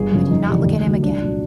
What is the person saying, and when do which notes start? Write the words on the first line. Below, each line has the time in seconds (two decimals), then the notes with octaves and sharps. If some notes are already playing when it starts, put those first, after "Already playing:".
I did not look at him again.
Already playing: G1 G#4
0.12 F#2 C#3 F3
0.30 F2 D#4
0.48 C3 E3 G3
0.66 D2
0.84 D3 F#3
1.02 C2 D4
1.20 A#2 F#3